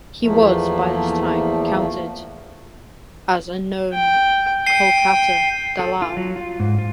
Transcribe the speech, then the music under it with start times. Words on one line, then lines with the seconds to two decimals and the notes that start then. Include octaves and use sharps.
He was, by this time, counted as a known Kolkata "dalal".
0.22 E2 F3 A3 A#3
3.93 G5
4.67 G5 C7 D#7
5.79 A4
6.02 F4
6.17 F#3
6.36 F4
6.60 G#2
6.78 F4